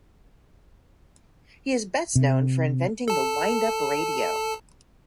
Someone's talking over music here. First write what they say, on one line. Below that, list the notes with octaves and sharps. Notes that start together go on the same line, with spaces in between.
He is best known for inventing the wind-up radio.
C3
A4 A5